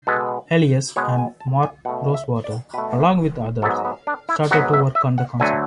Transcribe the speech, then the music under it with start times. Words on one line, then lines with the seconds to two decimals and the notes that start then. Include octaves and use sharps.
Elias and Mark Rosewater along with others started to work on the concept.
0.07 B2 G#3 B3 A4
0.96 B2 G#3 B3 C#5
1.18 G#5
1.40 A5
1.63 G#5
1.85 B2 A3 F#5
2.14 E5
2.44 D5
2.74 B2 A3 B4
3.62 G#2 F#3 B3 A4
3.85 B3
4.07 D4
4.29 E4
4.51 G#2 F#3 B3 F#4
4.73 E5
4.95 E5
5.18 F#5
5.40 D2 D3 F#3 A3 G#5